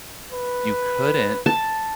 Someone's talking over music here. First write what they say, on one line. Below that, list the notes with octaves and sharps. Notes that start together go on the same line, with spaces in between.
you couldn't
B4
A5